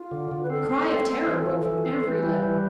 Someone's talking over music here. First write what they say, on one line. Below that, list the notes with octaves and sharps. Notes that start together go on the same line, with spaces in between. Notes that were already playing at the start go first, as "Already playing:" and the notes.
A cry of terror broke from every lip.
Already playing: F4
D3
D3
B4
C4 A4
C4
C4
C4
E3
E3
E3
C4
E3 B4
G3
E3